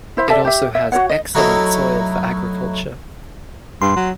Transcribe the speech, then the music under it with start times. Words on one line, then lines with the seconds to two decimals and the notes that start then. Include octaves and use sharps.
It also had excellent soil for agriculture.
0.17 E4 C5 E5
0.30 A4 D5 E5 A5
0.45 G4 E5
0.75 E5
0.92 F#4 A4 C#5 F#5
1.10 D#5
1.35 F#3 A3 D#4 E4 F#4
3.82 G2 C6
3.96 F#3